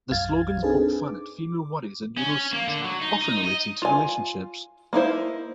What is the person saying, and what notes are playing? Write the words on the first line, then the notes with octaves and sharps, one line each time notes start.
The slogans poke fun at female worries and neuroses, often relating to relationships.
B1 F#2 F5 F6 G#6 A6
C4 D4 D#4 G#4 A4 B4
D6
C#4
C#4
A#3
D3
F#3
D#4
D#4
D#5
F4 G#5
A#3 D#4 E4 C5